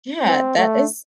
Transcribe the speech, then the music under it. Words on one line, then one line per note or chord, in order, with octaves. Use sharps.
Yeah, that is
C4
A3